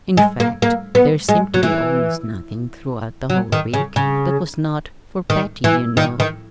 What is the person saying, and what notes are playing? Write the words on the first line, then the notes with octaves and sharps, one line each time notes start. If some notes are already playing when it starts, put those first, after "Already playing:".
In fact there seemed to be almost nothing throughout the whole week that was not "for Patty, you know."
G#3
A#3
A#3
B3
G#3
F#3
E3
F#3
D#3
C#3
C#3
D#3
E3
D#3
D#3